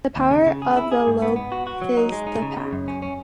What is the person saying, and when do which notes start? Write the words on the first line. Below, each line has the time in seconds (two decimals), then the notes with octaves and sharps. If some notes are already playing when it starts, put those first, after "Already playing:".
The Power of the Lobo is the Pack.
0.16 D#2
0.31 C#3
0.46 C#3
0.62 G#4
0.77 E4
0.92 G#4
1.07 G#2
1.22 B3
1.36 B3
1.52 F#4
1.67 F#4
1.82 F#3
1.97 D#4
2.12 G#3
2.27 D#4
2.42 C#3
2.57 C#3
2.73 F#2
2.88 C#4
3.02 C#4